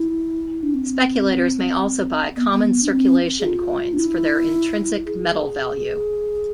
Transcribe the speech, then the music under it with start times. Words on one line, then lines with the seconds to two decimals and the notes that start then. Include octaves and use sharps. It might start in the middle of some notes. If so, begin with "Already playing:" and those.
Speculators may also buy common circulation coins for their intrinsic metal value.
Already playing: E4
0.63 D4
0.74 C4
2.36 B3
2.52 B3
2.83 D4
2.90 C4
3.40 G#4
3.45 F4
3.93 D4
3.99 E4
5.06 G#4